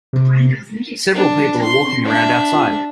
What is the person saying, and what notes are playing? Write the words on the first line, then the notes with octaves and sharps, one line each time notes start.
Several people are walking around outside.
C3
D4
C6
D4 E5